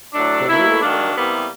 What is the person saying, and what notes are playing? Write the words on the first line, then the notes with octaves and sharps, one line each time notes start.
'cause it wasn't
A2 F#3 A3 D4
B2 F#3 A#3 E4
D#3 F#3 A#3 D4
C3 E3 G3 A#3 B3